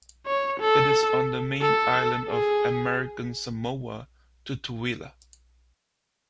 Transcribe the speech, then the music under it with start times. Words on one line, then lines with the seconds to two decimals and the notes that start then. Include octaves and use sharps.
It is on the main island of American Samoa, Tutuila.
0.26 C#5
0.60 A4
1.62 A4
2.30 G#4